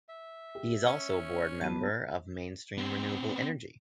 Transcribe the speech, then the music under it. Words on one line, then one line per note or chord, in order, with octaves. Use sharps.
He is also a Board Member of Mainstream Renewable Energy.
E5
G4
C#4 C#6
B1 F#3 B3 B4 A5
B3 C4